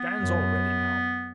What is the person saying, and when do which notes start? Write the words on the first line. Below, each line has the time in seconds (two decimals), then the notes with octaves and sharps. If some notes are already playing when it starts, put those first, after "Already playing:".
Dan's already now.
Already playing: B3
0.21 F#2